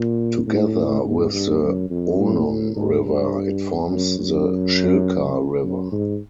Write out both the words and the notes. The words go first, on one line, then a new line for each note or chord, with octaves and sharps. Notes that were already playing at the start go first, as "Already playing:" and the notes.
Together with the Onon River, it forms the Shilka River.
Already playing: A#2
A2
G#2
G2
F#2
F2
A2
A2
G#2
G2
F#2
F#2
F#2
G#2